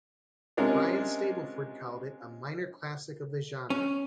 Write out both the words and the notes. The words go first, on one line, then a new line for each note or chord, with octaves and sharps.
Brian Stableford called it "a minor classic of the genre".
C3 G#3 C#4 D4 F4 A#4
C#4